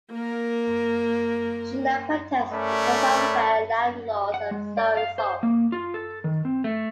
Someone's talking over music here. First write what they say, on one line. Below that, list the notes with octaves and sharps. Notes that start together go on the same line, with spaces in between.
She led protests against unfair landlords and saw results.
A#3 A#4
A3 C#4 A#4 C#5 D5 B5
F#5
G#3
D5
F5
C5
A#3
F4
A4
D#3
C4
A3